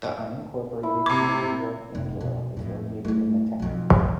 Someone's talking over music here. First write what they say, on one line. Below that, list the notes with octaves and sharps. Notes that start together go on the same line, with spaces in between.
The unincorporated community of Angelo is located in the town.
E4
C3 D6 G#6
F1
B2
F2 A2
A3 E4
B1 F2